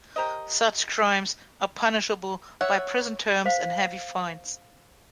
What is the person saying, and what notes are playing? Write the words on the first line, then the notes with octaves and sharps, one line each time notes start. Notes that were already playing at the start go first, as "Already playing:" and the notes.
Such crimes are punishable by prison terms and heavy fines.
G4 A#4 C5 D#5
C#5 E5 F#5
C5 F5